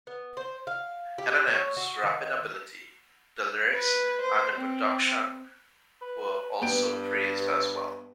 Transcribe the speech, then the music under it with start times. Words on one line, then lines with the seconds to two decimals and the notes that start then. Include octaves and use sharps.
Eminem's rapping ability, the lyrics and the production were also praised as well.
0.07 B3
0.37 C5
0.67 F5
1.18 G4
1.48 C#5
1.77 F#4
2.03 D#3
3.75 B4
4.22 C5
4.56 C4
6.01 B4
6.62 G2 B3 G5 D7